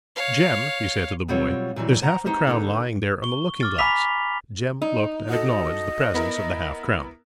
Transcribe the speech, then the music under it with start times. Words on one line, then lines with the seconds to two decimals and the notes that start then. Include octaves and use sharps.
"Jem," he said to the boy, "there's half a crown lying there on the looking-glass." Jem looked and acknowledged the presence of the half-crown.
0.15 C#5 F5
1.28 B2 F#3 G3 C4 F4 C#5
1.76 A#2 E3 F#3 G3
2.02 C5 F#5 A#5
2.26 B3 D#4 G4 C5
2.47 D3 A#3 B3 C#4 D#4
3.23 C#6 G7
3.61 D6 F6 A6
3.78 G#5 A#5 B5 D6 B6 F7
4.82 D#4
5.29 F#4 A4 D#5
6.14 B3 E4 A#4